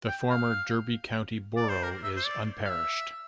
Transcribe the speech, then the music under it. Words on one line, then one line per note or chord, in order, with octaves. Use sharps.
The former Derby County Borough is unparished.
G5
F5
D5
C5
A#4
E5
C5
D5
F5
E5